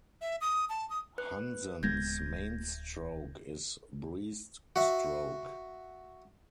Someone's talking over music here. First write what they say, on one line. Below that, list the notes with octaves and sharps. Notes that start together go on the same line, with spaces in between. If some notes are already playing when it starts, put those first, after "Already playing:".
Hansen's main stroke is breaststroke.
E5
D#6
A5
D#6
B4 F#6
D1 G#3 B3 G6 G#6 A#6
F#4 E5